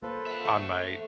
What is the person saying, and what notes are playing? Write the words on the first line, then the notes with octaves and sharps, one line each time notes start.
on my
A#3 F4 A4 B4 C5
E5 F#5
A3 C#6